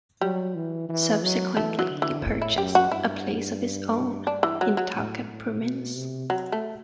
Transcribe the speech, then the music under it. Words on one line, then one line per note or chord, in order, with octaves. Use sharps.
Subsequently he purchased a place of his own, in Talca Province.
F#3 G3
E3
E3
F#3
E3 A3
F#3
D3
E3
A2
E4
F#2 G4
F#4
G2 E4
D4
E3
F#3
F#3
A2
A2
B2
C3
F#3
A3